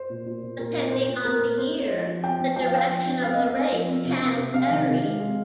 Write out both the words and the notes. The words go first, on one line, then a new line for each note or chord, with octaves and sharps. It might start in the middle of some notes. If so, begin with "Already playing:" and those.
Depending on the year, the direction of the race can vary.
Already playing: C5
A#2
A#2
A#2
A#2 A#4
C4
C#5
C4 C5
A#2
C4 A#4
C4
C4 C5
C4 C#5
F3 C5
F3
C4 G5
C4
F3 G5
F5
C4 G5
F3
C4
C4 F5
D#5
C4
F5
C4
F3
C4
C3
C4
C3
C3 F5
D#3
C3
G#3
G#3